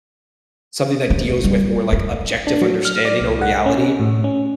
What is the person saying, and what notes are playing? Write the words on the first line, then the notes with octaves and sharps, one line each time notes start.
something that deals with more, like, objective understanding or reality,
A3
G3
A3
D4
F#3
F6
D5
C2
F#5
C#4
A2
C#4